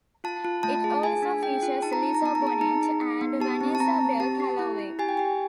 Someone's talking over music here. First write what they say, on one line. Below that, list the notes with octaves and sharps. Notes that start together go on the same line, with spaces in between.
It also features Lisa Bonet, and Vanessa Bell Calloway.
F4 A5
F4
A3 A5
G#4
G#4 G#5
D4
G#4 G5
F4
D#4 A5
A#5
D#4 A5
A#5
B3 A5
A#5
G#4 A5
D#4 A#5
G#4
D#4
B3
G4 A5
C4
A5
C4 A#5
C4
G4 A5
G4
E4
E4
G4 G#5
G5
G4 G#5